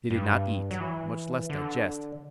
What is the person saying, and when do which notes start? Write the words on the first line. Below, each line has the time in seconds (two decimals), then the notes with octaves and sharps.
They did not eat, much less digest.
0.11 G2
0.71 F#3
0.80 E3
1.50 D3